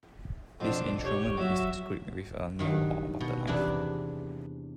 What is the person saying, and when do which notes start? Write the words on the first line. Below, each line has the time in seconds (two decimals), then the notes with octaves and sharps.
This instrument is scraped with a nail or butter knife.
0.60 F2 B2 F3 C4 D4
1.04 G4 C#5
1.37 F#3 F#4 E5
2.59 G2 D#3 F#3
3.20 B2
3.47 E2 C3 D4 G#4 B4